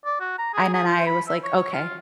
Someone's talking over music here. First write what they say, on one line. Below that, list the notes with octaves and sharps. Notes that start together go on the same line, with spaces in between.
I And then I was like, "Okay,
D5
F#4
A#5
G#4
G#4
C5
B5
E5
C#5
C#5
F4